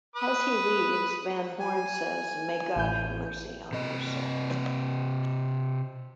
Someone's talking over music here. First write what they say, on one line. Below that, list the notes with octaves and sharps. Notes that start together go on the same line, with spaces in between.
As he leaves, Van Horn says, May God have mercy on your soul.
B4 D#6
G#5
A1 G6
C3 D#5